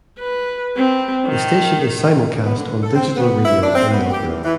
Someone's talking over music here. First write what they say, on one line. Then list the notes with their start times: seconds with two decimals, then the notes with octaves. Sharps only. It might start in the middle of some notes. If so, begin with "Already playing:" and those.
The station is simulcast on digital radio in Melbourne.
0.19 B4
0.77 C4
1.25 D#3
2.43 B3
2.58 D3
2.82 A4
2.95 C4
3.16 B3
3.45 E4
3.63 D4
3.75 C4
3.90 B3
4.10 G4
4.27 E2
4.44 E3